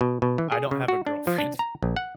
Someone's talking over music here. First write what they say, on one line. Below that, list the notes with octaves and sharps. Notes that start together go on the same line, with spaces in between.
I don't have a girlfriend.
B2
B2
E3
G#4
C#3
F#4
D4
F3
D4
A#5
A#1
F#5